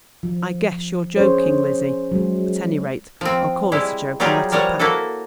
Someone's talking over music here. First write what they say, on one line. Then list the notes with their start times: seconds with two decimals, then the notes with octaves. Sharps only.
I guess you're joking, Lizzie. At any rate, I'll call it a joke and let it pass!
0.23 F3
1.16 C#4 G#4 C5 C#5
1.46 C#4
2.12 F#3 G#3
3.21 F3 C4
3.72 G3 G#3 E4
4.20 F#3 G3 D#4 F4 G4 G#4
4.52 F3 G3 A#4 C#5 F#5
4.79 A#3 E4 F#4 A4